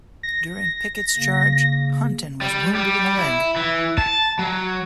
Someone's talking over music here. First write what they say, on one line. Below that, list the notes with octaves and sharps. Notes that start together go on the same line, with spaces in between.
During Pickett's Charge, Hunton was wounded in the leg.
A#6
C#3 A#3
G3
G3
E4
E3
A5
F#3